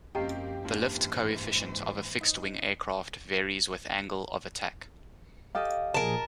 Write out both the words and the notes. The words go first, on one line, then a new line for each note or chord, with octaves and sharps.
The lift coefficient of a fixed-wing aircraft varies with angle of attack.
F#2 F3 A#3 C4 C#4 G4 D#5 F5
G#2 E3 A#3 D4 F4 C5
D#4
G4 A4 D#5 F5
A#2 F3 G#4 A#4 A5